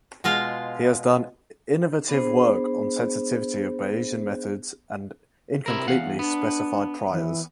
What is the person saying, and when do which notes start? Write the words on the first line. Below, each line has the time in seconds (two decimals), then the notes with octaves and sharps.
He has done innovative work on sensitivity of Bayesian methods and incompletely specified priors.
0.24 B2 G#3 F4 F5
2.09 B3 D4 G#4 C5
5.66 C3 E4 A#4
5.88 E2 F5 F#5
6.19 B3 D4
7.11 E3